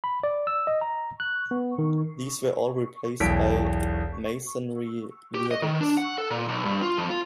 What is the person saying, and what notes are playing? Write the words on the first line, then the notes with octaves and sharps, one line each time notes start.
These were all replaced by masonry viaducts.
B5
D5
E6
D#5
A#5
F#6
B3
D#3
E1 B1 E3 C#5 B6 D7
G4
D#5
D#3
D4
F#5
A4
A#2
B1
G2
F4
F2
F4